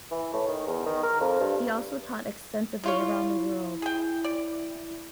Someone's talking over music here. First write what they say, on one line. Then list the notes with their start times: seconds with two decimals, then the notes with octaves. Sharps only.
He also taught extensively around the world.
0.11 E3
0.34 A2
0.48 D#3
0.67 E2
0.86 D#3
1.03 A#4
1.21 F2
1.41 G2
2.84 C#3 E4 F4 C#5
3.82 G#4 G5
4.24 D5